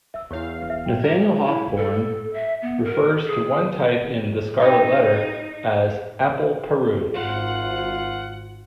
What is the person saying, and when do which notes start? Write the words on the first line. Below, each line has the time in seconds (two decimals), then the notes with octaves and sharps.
Nathaniel Hawthorne refers to one type in "The Scarlet Letter" as "apple-Peru".
0.14 E5 E6
0.31 E2 E4 C#5 F5 C#6
0.70 E5
0.85 G5
1.02 G3 A#4 G#6
1.46 E4
1.77 A4
2.33 E5
2.62 B3
2.84 A#4
3.26 G#4
4.61 D#4 E4 G4 C#5
7.14 G#1 F4 F#5